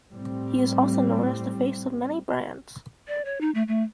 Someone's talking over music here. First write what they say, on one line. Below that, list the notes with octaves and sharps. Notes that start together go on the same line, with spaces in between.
He is also known as the face of many brands.
A2 G3 C4
D5
C#5
D#4
A3
A3